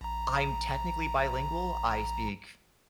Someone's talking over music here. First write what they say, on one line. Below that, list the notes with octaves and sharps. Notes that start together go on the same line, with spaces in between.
I'm technically bilingual, I speak
A#1 A#5